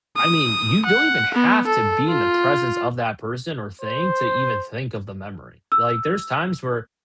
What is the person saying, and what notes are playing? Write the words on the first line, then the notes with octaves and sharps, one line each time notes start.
I mean, you don't even have to be in the presence of that person or thing to even think of the memory, like, there's times where
D#6
F#5
B3
A4
F4
C5
E6